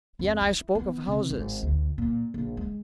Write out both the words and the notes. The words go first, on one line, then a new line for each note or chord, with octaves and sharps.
Yet I spoke of houses.
F2
E4
B3
C3
G#1
D2
A#2
A#1
G#3